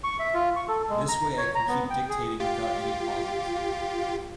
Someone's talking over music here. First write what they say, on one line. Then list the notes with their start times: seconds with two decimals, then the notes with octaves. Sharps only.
This way I can keep dictating without any pauses.
0.04 C#6
0.19 E5
0.34 F4
0.56 C#6
0.68 A4
0.89 G#3
1.08 A#5
1.38 C#5
1.55 A#5
1.68 B3
1.90 G5
2.09 G#4
2.40 F4 G4